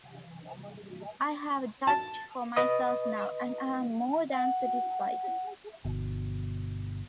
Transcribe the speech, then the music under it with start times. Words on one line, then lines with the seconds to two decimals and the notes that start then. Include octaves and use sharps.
I have judged for myself now, and am more than satisfied.
1.87 A5
2.57 B4 D#5 D#6
4.32 F#5
5.85 G1 B2